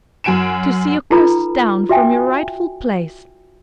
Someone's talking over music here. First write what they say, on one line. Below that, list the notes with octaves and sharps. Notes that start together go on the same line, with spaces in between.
To see you cast down from your rightful place!
F#2 F#4 G#5 D7 E7
D#4 F4 A4 B4 A#5 B5
F#4 E5 G5 G#5